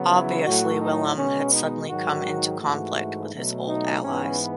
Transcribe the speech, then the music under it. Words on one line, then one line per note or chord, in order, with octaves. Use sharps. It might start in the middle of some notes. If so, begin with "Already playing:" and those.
Obviously Willem had suddenly come into conflict with his old allies.
Already playing: C#3 F#3 B3
E4
A2 F#3 A3 F#4
D#4
B2 G#3 B3 C#4
D#4
G#2 D#3 F#3 F#4
G#2 E3 A3 F#4
B2 F#3 A3
D#4
G#2 E3 B3 C#4